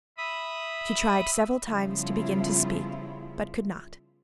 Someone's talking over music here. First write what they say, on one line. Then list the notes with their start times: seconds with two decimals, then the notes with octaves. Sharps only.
She tried several times to begin to speak, but could not.
0.18 E5 B5 D#6
1.66 C#3 F3 G3 B3 E4 F4